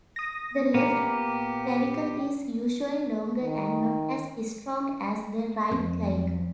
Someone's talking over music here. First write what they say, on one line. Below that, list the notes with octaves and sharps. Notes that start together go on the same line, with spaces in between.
The left clavicle is usually longer and not as strong as the right clavicle.
D#6 A#6
A#2 A#3 B3 G4
D#3
F2